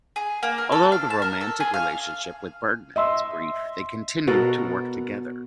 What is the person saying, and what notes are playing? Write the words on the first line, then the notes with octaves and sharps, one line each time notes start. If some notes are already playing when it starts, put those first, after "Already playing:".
Although the romantic relationship with Bergman was brief, they continued to work together.
G#4
A#3
A#4
A4
F5
A5
A#4
A4
G#4
F5
D#5 E5 C6 E6
B2 F#4 A4 A#4